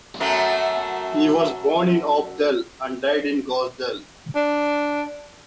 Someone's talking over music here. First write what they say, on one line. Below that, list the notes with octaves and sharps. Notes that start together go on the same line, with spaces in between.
He was born in Oppdal, and died in Gausdal.
F#2 F#3 A3
D4